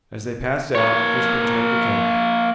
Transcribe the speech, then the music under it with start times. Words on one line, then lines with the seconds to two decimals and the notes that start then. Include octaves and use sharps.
As they passed out, Crispin turned to Kenneth.
0.75 A#3 C#5